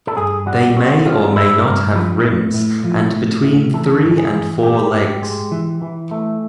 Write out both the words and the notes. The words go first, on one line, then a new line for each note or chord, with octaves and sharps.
They may or may not have rims and between three and four legs.
A4
G2 G#4
G3 F#4
C4 F#4
G3 F4
G2 E4
G2 A#4
F3 B4
A2
A2
F3
A2
A2
E3 A4
G#2
G#4
E3
G#2 G4
G#2
G#3
E3
E3
A3